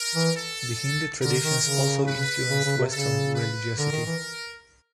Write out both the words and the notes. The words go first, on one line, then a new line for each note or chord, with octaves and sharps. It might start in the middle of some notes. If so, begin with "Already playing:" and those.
The Hindu traditions also influenced western religiosity.
Already playing: A#4
E3
A4
D3 A#4
D#3
C#3
B4
C#3
C#3
C3
C#3 A4
B4
D3 A#4
D#3
E3